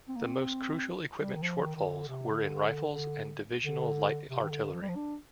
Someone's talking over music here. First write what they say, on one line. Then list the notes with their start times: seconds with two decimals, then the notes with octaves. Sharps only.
The most crucial equipment shortfalls were in rifles and divisional light artillery.
0.08 C4
0.16 A#3
0.24 C4
1.19 G3
1.35 D#3
1.42 F3
1.64 D#3
1.76 D#3
1.86 D3
2.08 C3
2.31 D3
3.64 D3
4.30 C3
4.43 D#3
4.51 D3
4.74 F3
4.81 G3
4.88 F3
4.96 D4